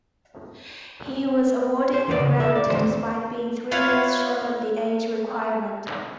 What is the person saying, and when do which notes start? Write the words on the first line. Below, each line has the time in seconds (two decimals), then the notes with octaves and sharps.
He was awarded the grant despite being three years short of the age requirement.
1.94 C5
2.08 E2 A#3 B3 E4 D5
2.20 C#3
2.40 A4 E5
2.55 D5
2.70 D2 D3 F#3 A3 C5
3.71 E4 F4 B4 C#5 F5